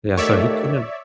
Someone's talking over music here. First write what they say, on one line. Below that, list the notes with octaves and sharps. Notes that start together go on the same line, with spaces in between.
Yeah, so he couldn't
D#2 A3 C#5 D5 E5